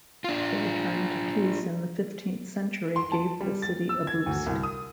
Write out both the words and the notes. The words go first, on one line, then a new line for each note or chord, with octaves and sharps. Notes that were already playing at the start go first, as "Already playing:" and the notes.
The return to peace in the fifteenth century gave the city a boost.
D4 F4
C6
A5
G3
A6
E6
G#6
D2
C2
D#6